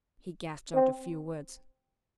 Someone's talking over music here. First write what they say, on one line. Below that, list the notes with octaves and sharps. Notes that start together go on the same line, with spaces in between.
He gasped out a few words.
C4